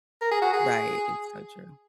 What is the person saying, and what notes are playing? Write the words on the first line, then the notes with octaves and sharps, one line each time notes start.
Right, it's so true.
A#4
G#4
F#4
G#4